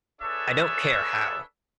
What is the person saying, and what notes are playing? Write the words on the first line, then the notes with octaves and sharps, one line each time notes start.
I don't care how.
D4 G#4 A4 B4 C#5 E5